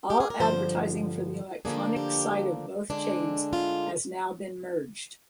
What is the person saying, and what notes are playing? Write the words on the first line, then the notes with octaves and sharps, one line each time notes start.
All advertising for the electronics side of both chains has now been merged.
G4
G#4
A#4
G2 D3 F3 C5
D3 F3 A#3 D4 G#4
G4
D3 G#3 D4
F4